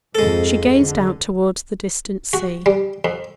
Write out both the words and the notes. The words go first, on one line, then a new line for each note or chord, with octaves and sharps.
She gazed out towards the distant sea.
F2 G#2 G#3 A4
D3
F#4
G3
F2